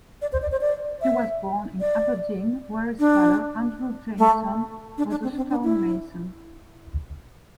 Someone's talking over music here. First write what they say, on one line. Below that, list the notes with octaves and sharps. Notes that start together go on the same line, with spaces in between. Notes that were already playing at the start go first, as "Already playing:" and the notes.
He was born in Aberdeen, where his father, Andrew Jamesone, was a stonemason.
D5
C5
D5
C5
D5
E5
D5
D4
A3
D4
D4
C4
C4
D4
E4